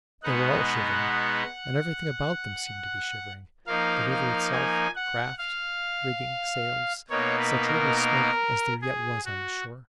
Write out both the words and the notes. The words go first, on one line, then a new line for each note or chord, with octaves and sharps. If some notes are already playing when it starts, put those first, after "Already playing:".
They were all shivering, and everything about them seemed to be shivering; the river itself; craft, rigging, sails, such early smoke as there yet was on the shore.
B2 G#3 B3 D#4 F#5
F3 A#3 D#4 F5
F5
G#5
F#5
F5
B2 A#3 D#4 C#5
B4
A#4
A#4
G#4
F#4